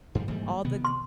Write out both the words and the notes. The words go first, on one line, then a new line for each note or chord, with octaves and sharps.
all the g
G2 F3 G3
G#2 D3 E3 G3 A#3
C3 D#3 B3
C6